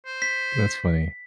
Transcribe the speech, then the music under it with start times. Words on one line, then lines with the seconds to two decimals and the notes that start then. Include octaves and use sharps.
That's funny.
0.06 C5
0.22 B6